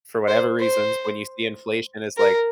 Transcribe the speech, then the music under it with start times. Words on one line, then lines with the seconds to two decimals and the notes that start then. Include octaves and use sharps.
for whatever reasons, when you see inflation is like
0.28 C5
0.59 C5
2.17 A#4